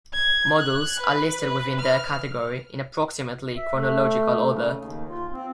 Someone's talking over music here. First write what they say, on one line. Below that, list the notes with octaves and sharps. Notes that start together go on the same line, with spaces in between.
Models are listed within their category in approximately chronological order.
G#6
F#6
B4
B4
F6
E5
A3
C#3
D#2
F4
C4